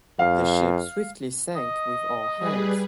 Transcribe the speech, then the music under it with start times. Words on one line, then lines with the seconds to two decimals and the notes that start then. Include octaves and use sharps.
The ship swiftly sank with all hands.
0.19 F2 F5
1.56 D#5
2.37 G3 G#4 B4